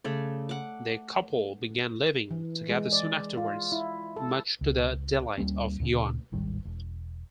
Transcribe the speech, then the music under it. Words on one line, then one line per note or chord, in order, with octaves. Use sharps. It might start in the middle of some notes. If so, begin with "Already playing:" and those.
They couple began living together soon afterwards, much to the delight of Yuan.
C#3 A3 D5
F#5 D6
E3
G#3
D5
F4
E4
A4
C#2
D2 G3 A#3 C#4
D2 A#2 C#3
D1 G#1 D#3 G3
E1